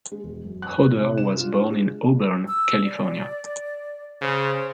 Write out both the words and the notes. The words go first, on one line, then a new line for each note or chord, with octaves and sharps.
Hodder was born in Auburn, California.
G#3
E1
F#2
F#6
C3
E7
F4
D4
G#3
E6
D5
C#3 C5